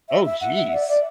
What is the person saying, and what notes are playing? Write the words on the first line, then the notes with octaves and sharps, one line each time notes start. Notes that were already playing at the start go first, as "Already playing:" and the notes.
Oh, jeez.
E5
E5
F#5
E5
D5
D5